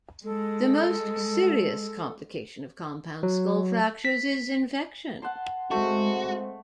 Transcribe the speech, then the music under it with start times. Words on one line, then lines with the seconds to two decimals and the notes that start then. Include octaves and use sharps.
The most serious complication of compound skull fractures is infection.
0.25 G#3 A4
3.23 F#3
4.05 B6
5.22 F#5 A5 C6
5.71 G#3 A3 C4 F#4